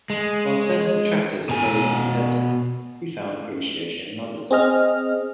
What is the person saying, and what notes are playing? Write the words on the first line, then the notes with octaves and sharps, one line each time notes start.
While Sen's detractors opposed and condemned him, he found appreciation in others.
G#3
B2 G#5
C4 G#4 D#5 F6